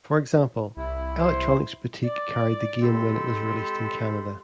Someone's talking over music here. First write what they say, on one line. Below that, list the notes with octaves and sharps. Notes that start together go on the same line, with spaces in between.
For example, Electronics Boutique carried the game when it was released in Canada.
C2 E4
C5
D5
G#3 C4 G4 A4 B5 C6